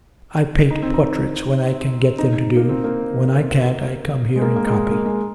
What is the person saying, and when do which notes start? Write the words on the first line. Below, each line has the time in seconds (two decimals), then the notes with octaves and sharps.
'I paint portraits when I can get them to do; when I can't, I come here and copy....
0.71 D#4
0.82 C4
0.94 D#4
2.19 D#4
2.56 A#3
2.69 C4
2.84 A#3
4.36 G#3
4.41 A#3
4.56 A#3
4.67 G#3
4.91 A#3
5.05 G#3